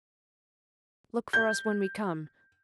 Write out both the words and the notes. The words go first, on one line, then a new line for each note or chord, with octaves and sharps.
Look for us when we come.
G6